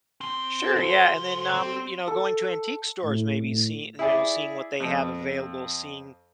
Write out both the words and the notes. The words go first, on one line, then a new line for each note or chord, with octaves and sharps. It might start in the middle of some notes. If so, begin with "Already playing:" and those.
Sure, yeah, and then, um, you know, going to antique stores, maybe see, you know, seeing what they have available, seeing,
C4 C6
F#4 A4 C5
C#2 C6
C4
A4
A2
A2
E4 G#4 D5
F2